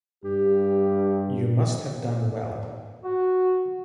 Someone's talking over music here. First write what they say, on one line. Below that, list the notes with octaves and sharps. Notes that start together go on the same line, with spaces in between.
You must have done well.
G2 G4
F#4